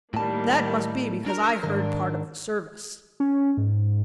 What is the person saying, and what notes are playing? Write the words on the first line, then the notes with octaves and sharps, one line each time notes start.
That must be because I heard part of the service.'
A2 D#3 G3 A#3 A5
D4 F#4 A#4 A#5
G#2 D#3 D4 A#4
C#4
G#2